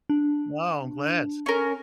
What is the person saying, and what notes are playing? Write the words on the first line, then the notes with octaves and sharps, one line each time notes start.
Wow, I'm glad.
D4
C#4 A#4